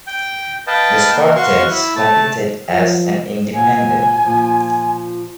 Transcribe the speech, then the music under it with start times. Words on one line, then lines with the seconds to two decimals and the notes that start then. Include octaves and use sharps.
The Spartans competed as an independent.
0.07 G5
0.67 B4 D#5 F5 G5 A5
1.15 A#3 A#4
1.36 F#4 F5 C6 C#6
1.70 E4
1.96 A3 A5
2.70 F3
3.53 A#2 F#3 G#5
4.25 A#2 F3